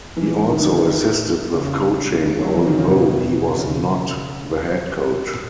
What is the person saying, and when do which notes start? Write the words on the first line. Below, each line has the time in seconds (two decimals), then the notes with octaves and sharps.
He also assisted with coaching, although he was not the head coach.
0.16 E3
0.51 D#3
0.62 D#3
0.73 D#3
0.85 D#3
1.53 C#3
2.21 D#3
2.39 F#3
2.56 E3
2.67 D#3
2.78 C#3
2.90 B2
3.51 B2
3.58 C#3